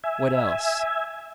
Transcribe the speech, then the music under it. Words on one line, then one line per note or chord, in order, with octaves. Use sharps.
"What else?"
E5 G#5